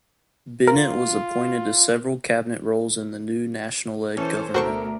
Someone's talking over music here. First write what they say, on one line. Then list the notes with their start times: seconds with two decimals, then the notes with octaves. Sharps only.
Bennett was appointed to several cabinet roles in the new National-led government.
0.67 F4 A#4
4.17 E3 C#4 A4 C5
4.54 D2 B2 F#4 A4 A#4 C5 C#6